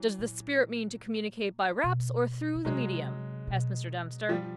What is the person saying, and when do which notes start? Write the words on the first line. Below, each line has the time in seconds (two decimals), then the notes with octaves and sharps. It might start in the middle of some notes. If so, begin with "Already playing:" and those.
"Does the spirit mean to communicate by raps or through the medium?" asked Mr. Dempster.
Already playing: E3 F#3
0.19 A#2
1.83 B2
2.55 C#3
2.65 C3 F#3 G#3
3.47 B2
4.29 F3 G3